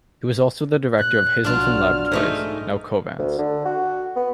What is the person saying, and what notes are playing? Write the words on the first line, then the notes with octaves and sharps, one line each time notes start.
He was also the director of Hazelton Laboratories, now Covance.
A#2 F#6
B1 F#3 D4 F4 F6
G#2 A3 D#4
D2
D3
F#4
B3